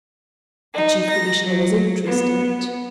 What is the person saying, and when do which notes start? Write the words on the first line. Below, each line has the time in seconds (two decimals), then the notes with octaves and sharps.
The Chief Commissioner was interested.
0.73 D#4
1.10 A#6
1.43 F#3
2.06 B3